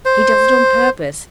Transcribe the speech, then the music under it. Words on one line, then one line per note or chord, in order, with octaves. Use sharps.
He does it on purpose.
C5